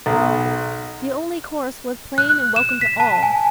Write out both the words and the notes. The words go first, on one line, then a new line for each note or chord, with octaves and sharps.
The only course was plain and welcome to all.
B1
F#6
E7
B6
A5
G#5